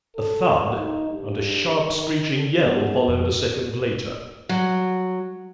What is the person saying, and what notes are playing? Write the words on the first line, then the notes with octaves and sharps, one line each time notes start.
A thud and a sharp screeching yell followed a second later.
A4
D#4
G2
D#3
B3
F2
F#3